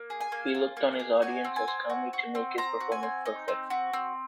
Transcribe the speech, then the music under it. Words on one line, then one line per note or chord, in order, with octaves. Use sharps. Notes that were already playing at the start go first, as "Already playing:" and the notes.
He looked on his audience as kami to make his performance perfect.
Already playing: A#3
G#4
G#5
A#3
F4
A#3
G#4
F#4 G#5
C4
G#5
C4
F#4
F#4
C4
C4 A#5
F#4
G#5
C4
D#4
C4
F#4
C4